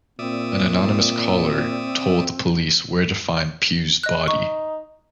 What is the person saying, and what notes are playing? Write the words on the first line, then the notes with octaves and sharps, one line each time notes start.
An anonymous caller told the police where to find Pue's body.
A#2 C4 D5 E5 D#6
D#5 F#6
D#4 C#6